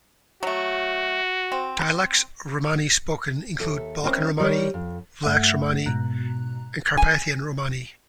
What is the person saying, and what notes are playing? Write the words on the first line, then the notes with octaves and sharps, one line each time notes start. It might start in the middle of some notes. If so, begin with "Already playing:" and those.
Dialects of Romani spoken include Balkan Romani, Vlax Romani, and Carpathian Romani.
F#3 A3 F#4
C4
D#2 A4 E5
G3 C4 C#4 A#4 C5 E5
G3 D#4 A#4 C#5
F2
G2 A3 E5 F#5
G#2 B2 A#5 F#6
G#5